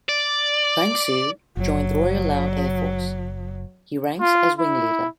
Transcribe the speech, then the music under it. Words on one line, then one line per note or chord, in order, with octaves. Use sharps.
Vang Sue joined the Royal Lao Air Force He ranks as Wing Leader.
D5
F#1 F#3
F4
E4